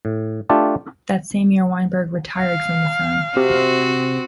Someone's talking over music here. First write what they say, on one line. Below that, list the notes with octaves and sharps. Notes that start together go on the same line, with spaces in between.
That same year, Weinberg retired from the firm.
A2
A3 D4 F4 G4 A4
F5
C3 C4 F#4